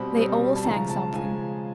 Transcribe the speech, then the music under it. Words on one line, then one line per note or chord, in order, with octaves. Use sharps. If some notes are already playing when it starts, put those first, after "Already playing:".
They all sang something.
Already playing: B2 G3 C4 B5
B2 G3 C4
A5
C#3 F3 G#3 A#5
A5
C#3 F3 G#3 G#5